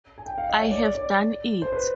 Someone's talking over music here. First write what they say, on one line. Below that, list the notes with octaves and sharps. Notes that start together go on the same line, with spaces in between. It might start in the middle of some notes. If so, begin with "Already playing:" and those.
I have done it.
G#5
G5
F5
D#5
C#5
D5
C#5
D5
C5
B4